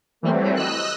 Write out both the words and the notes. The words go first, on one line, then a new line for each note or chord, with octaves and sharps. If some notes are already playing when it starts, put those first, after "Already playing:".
Me too.
E3 F#3 G3 A3 C4
D#5 E6 F#6